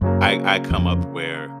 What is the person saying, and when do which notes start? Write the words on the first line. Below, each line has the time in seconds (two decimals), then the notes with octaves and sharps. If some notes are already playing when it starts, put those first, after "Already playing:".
I I come up where
0.01 F#2 C#3 F#3 A#3
0.70 E2
0.78 F2